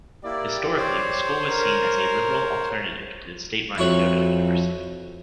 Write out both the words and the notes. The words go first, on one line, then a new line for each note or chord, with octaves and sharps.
Historically, the school was seen as a liberal alternative to the state-run Kyoto University.
A#3 E4 G4 D5
C5 C#5
A#4
F2 E4 F#4 C#5